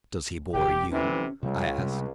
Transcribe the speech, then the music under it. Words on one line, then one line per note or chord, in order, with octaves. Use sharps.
"Does he bore you?" I asked.
E1 G4
D2 C3 E3 C#4
C#2 C3 G3
C3 G3